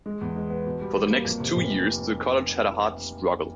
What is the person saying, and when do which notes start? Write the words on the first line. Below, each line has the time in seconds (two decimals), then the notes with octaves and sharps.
For the next two years the college had a hard struggle.
0.06 G#3
0.21 E2
0.36 G#3
0.50 B3
0.66 B2
0.81 G3
0.95 G3
1.10 A#3
1.25 F2
1.40 C3
1.56 F1